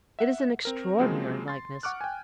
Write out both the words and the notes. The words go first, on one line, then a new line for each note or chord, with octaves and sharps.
It is an extraordinary likeness.
E5 F#5
C4 A#4
C#3 F3 F#3 G#3 A#3 C4
C6 A6
F#5 C#6 D6 F6 F#6
G5 G#5